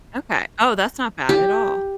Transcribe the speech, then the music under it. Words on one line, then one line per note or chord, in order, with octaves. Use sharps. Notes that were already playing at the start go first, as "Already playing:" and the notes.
Okay, oh, that's not bad at all.
G4